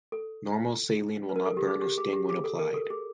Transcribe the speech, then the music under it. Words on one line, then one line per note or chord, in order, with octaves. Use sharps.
Normal saline will not burn or sting when applied.
A4
B4
A#4
A4
G4
G#4
G4
G#4
G4
G#4
A4
A#4
A4
G#4